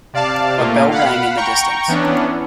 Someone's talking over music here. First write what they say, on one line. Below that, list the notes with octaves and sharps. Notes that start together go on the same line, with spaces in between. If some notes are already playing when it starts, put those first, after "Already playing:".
A bell rang in the distance.
C3 D5 F5 A5
A#2 A3 A#3 F4
F5 F#5 B5
G5 A#5 C#6
E3 B3 C#4 D4